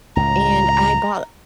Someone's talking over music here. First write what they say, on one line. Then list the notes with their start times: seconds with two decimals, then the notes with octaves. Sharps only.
and I bought
0.16 C#2 A2 A#5